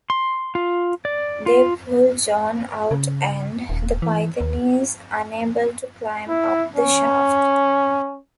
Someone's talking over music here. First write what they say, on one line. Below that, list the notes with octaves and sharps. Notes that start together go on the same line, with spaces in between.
They pull John out and the python is unable to climb up the shaft.
C6
F4
D5
F4
C#3
D#1
E3
D#2
E4
C#4